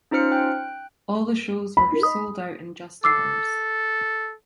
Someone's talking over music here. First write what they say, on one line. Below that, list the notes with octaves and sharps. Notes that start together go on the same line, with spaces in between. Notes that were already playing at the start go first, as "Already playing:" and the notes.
All the shows were sold out in just hours.
C#4 D#4 F4 C5 F6 C#7
G5 F#6
B5
A4 D6 E6 C7